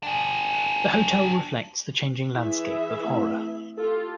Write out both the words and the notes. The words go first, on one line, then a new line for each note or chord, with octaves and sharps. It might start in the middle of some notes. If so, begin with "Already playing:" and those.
The hotel reflects the changing landscape of Howrah.
D4 G#4
E3 E4 G#4 E5
A3 C4 E4
F4 G4 A4